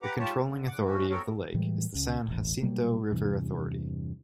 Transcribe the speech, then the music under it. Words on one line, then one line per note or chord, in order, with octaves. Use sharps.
The controlling authority of the lake is the San Jacinto River Authority.
G4 B4 F#5 A#5 D6
G#2 F4 G4 C#5 A5
D3
E2 F#5 D6
D#3 F3 C#4 F#4
B3 C4 F#4 A4 A#4 C#5
A2 E3 G3 G#3
C#2 C#3
E1 A1
B2 F#3 G3 A#3
E2 G2 C3 E3